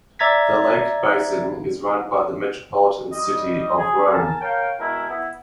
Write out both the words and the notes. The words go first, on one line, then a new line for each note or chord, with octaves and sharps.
The lake basin is run by the Metropolitan City of Rome.
D5 E5 A#5 G#6 A6 B6
G3 D#5
G#4
A#4 G#5 A5
A#4 C#5 F5 G5
B2 G#3 E4 A#4 A5
B3 E4